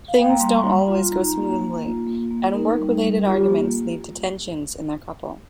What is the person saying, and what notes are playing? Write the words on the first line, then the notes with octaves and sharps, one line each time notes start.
Things don't always go smoothly and work-related arguments lead to tensions in their couple.
F5
A#3 G5
A#5
G3 C6
G3
F4
D#4 A#5
A#3
A#3
F4
A#3
A#3
D#4 A#4
G3
G3
F4 G4
A#3